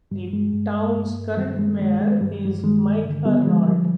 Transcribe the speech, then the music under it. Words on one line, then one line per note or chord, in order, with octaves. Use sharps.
The town's current mayor is Mike Arnold.
G2 G3
G#3
G2
G2
D#3 G3
G#3
D#3 G#3
G#3
G2 G3
G3
D#3 G#3
D3
G3 B3
F3 G#3
G3